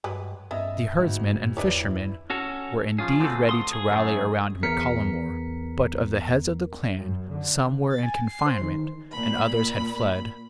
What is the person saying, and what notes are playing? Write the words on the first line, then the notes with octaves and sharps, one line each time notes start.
The herdsmen and fishermen were indeed ready to rally round Mac Callum More; but, of the heads of the clan, some were in confinement, and others had fled.
G2 F#3 G#3 B4
G2 B3 C#4 D#5 E5
D2 G#2
E2 D4 E4 B4 C#5
C#4 F#4 A4
F3 C#4 F4 G#4
D3 A3 C4
C6 D#6
G#4
F#2 A3 A#5
E2 A#4 B6 C#7
F#2
D3
A6
G#5
C7
C5
D#3
A#2 B5